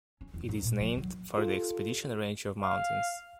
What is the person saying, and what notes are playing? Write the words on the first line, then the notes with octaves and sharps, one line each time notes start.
It is named for the Expedition Range of mountains.
C#4
E2
F#2
A#2
F3
D#3 F#3
F4 G4 A4
F5